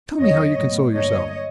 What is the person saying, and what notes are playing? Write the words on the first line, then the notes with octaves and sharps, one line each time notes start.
"Tell me how you console yourself."
E2 C#3 F#3 A#3 C#5 D#5
A2 F#3 B3
G2 D3 F#3 A#3 C#5 D#5